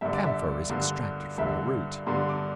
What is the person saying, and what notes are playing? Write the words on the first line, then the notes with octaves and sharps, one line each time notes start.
Camphor is extracted from the root.
G2 D3 E5
D5
E5
G2 D3
G2 D3 E5
G2 D3 C6
D6